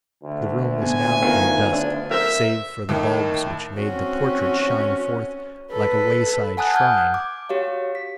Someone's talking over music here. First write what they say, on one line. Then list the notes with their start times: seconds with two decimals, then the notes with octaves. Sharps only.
The room was now in dusk, save for the bulbs which made the portrait shine forth like a wayside shrine.
0.23 D2
0.81 B2 G#5
1.22 D#3 B3 F4
1.73 D4
2.11 A#4 C5 E5
2.89 D#2 A2 D#3
3.79 C4 C#4 F#4
5.72 A4 B4
6.57 F#5 G#5 A5 D#6 F#6
6.74 F#5 D#6 F6 G6 G#6
7.14 D6
7.49 F#4 G4 C#5 F5
7.95 B6